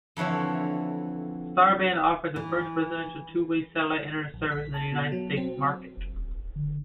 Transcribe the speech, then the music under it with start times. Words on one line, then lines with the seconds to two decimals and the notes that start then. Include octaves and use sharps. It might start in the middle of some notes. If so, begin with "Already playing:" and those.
StarBand offered the first residential two-way satellite Internet service in the United States market.
0.17 F2 D3 E3 C#5 E5
2.36 E3
4.34 A#1
4.52 B6
4.74 A5
4.92 B2
5.12 F#3
5.37 C4
5.97 F1
6.14 D#1
6.39 E1
6.56 D3